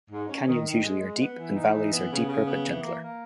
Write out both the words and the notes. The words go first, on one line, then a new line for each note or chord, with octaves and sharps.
Canyons usually are deep and valleys are deeper but gentler.
G#2
C#4
D#3
D#3
G#3
G#3
B3
E3
D#4
E3
B3
C#3
C#3
B3
E3
A#3
A#3